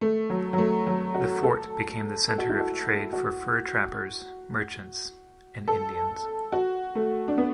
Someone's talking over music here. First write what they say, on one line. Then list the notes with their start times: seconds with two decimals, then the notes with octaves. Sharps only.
The fort became the center of trade for fur trappers, merchants and Indians.
0.01 A3
0.30 F#3
0.53 F#3
0.58 A3
0.87 F#3
1.14 F#4
1.43 A4
2.28 A4
2.38 F#4
2.49 E4
2.60 F#4
3.13 F#4
5.68 A4
6.52 F#4
6.95 A3
7.28 D4
7.38 B3